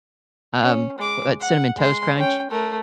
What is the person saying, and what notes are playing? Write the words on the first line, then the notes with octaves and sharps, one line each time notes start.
um, what Cinnamon Toast Crunch.
C#4
G#3 D6
F#5
G#3 C6
C#4 G5
A3 A#4